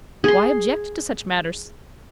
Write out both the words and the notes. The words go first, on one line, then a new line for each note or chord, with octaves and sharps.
Why object to such manners?
G#4 C6